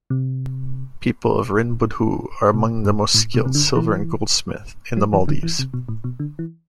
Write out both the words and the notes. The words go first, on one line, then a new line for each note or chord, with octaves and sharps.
People of Rinbudhoo are among the most skilled silver and goldsmiths in the Maldives.
C3
B2
G2
A2
B2
C3
D3
E3
F#3
E3
D3
E3
C3
B2
A2
B2
D3
E3